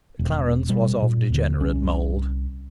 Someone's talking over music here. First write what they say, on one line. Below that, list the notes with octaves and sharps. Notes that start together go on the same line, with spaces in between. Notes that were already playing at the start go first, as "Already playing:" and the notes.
Clarence was of degenerate mould.
E1
B2 G3
A#2
D#2 D3
C2 C#4